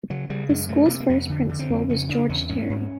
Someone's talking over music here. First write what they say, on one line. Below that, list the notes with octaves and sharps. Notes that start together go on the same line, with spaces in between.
The school's first principal was George Terry.
C#3 F#3
C#3 G3
F#2 G#3
C3 A3
C3 A#3
A#3
F2 B3
D3
D3
C4
F2
C#3 C#4
C#3 D4
E2 C#4
G#2 C#4
G#2